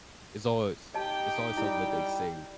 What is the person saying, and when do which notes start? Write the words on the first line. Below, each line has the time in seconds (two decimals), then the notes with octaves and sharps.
it's always it's always something that they say,
0.94 D#4 G4 D#5 G5 A5
1.57 G3 E4